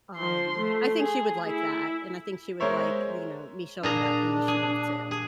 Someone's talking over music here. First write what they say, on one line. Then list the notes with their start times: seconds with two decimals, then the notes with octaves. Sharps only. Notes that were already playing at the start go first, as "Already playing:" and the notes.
um, I think she would like that, and I think she would like, you know, me showing that initiative too,
0.17 F3 C6
0.58 A3
1.00 G#4
1.49 E4
2.60 G#3 A#4 C5 C#5 E5
3.83 A#2 D4 G#4 A#5
4.48 G#4
5.11 G#4